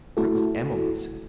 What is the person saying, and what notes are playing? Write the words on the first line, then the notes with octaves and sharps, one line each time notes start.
For it was Emily's!
A3 E4 F#4 A4